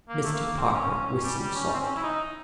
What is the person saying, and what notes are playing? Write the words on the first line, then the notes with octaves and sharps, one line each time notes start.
Mr. Parker whistled softly.
A#3
A3
A#3
C4
C#4
C#4
C#4
G3
G3
C#4
C4
C#4
E4
D#4